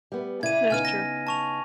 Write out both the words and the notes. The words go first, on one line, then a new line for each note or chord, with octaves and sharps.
That's true.
G3 B3
C#3 E4 D5 G#6 D#7
C#3 B3 D#4 G#5 F6 D#7
A#6
A5 C#6 F7